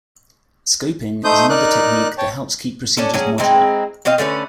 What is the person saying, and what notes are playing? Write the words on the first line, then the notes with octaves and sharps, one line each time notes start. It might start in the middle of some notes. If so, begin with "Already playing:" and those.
Scoping is another technique that helps keep procedures modular.
A3 D#4 C5 D#6 G6
D#4 A#4 D5 F#6
C#5 G5 A5
C#4 D4 A4
F#3 C#4 G#4
G#3 C4 D#4 E4
B2 C4 D#5 F5
D3 A3 C#4 B4